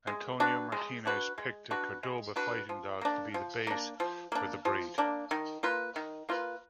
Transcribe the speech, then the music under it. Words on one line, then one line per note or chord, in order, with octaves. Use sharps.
Antonio Martinez picked the Cordoba Fighting Dog to be the base for the breed.
G#3
D4 F#4 B4
G#3
D4 F#4 B4
G#3
D4 F#4 B4
G#3
D4 F#4 B4
F3
A#3 D4
F3
A#3 D4
F3
A#3 D4
F3
A#3 D4
D#3
A#3 F4 B4
D#3
A#3 F4 B4